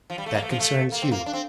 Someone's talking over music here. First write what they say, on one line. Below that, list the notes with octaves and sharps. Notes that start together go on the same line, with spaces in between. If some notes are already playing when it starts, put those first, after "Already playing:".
That concerns you.
F3
G3
A3
A#3
A3
F3
A3
A#3
C4
A#3
D4
C4